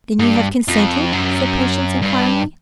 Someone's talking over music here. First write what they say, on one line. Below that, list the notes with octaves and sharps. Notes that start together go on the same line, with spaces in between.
"Then you have consented?" said Patience, inquiringly.
G#2
G2
F2
F#2
G2